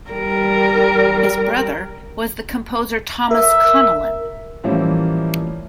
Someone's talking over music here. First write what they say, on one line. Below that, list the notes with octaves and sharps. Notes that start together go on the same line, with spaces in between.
His brother was the composer Thomas Connellan.
G3 A#4
A#4 E5
A2 E3 F3 G3 A#3 C#4